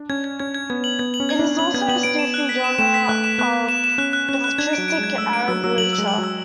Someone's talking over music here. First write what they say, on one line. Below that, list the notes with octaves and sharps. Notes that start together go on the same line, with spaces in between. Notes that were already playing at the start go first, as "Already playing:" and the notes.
It is also Sufi genre of belletristic Arab literature.
Already playing: D4
C#4 G#6
G#6
C#4 G#6
G#6
B3 G#6
F#7
B3 G#6
F#7
C#4
G#6
D4
F#7
C#4 F#7
B3 G#6
B3 F#7
B3 D7
E7
F#6
B6
E7
A3 E7
B6
A3 F#6
E7
B3 F#6
F#6
E7
E7
C#4 F#6
F#6
C#4 F#6
F#6
D4 G#6
F#3 D7
D7
G#3
G#6
A3 E6
D7
F#3 E6
F#3 E6
F#3 F#7
E6
G#3
F#7
F#3
E6